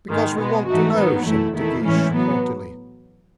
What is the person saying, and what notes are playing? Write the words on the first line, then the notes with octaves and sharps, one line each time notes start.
"Because we want to know," said De Guiche, haughtily.
G#2 D#3 G#3
B2 G#3 B3
G#2 E3 A3 D#4 F#4
D#3 F#3 B3 D#4
F#2 E3 A3 E4
E2 D#3 A3 E4
A2 E3 G#3 C#4 E4
A2 F#3 B3